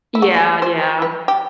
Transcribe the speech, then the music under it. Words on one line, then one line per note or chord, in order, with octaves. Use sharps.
Yeah, yeah.
E4
F#4
C5
B4
G4